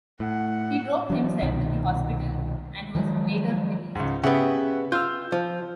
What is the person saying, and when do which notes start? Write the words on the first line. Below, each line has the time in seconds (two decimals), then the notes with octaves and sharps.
He drove himself to the hospital and was later released.
0.20 A2 F#5
1.10 E3 F#3
1.42 C2 B2 D#3
2.95 D#3 F3 F#3 G#3
3.95 C#2 G#2
4.23 C#3 B3 G4 E5 F#5
4.92 F4 E6 F6 G6
5.32 F3